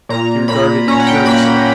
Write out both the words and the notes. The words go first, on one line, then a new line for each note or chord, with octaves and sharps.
She regarded him curiously.
A#2 A#5
A#2 B5
C#4 A#5
F#5
G5
A#3 B5